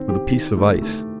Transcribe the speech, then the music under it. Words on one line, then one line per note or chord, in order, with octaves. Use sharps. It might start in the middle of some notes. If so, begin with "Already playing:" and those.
"With a piece of ice."
Already playing: D#3 C4
G4
D#3
A3
A3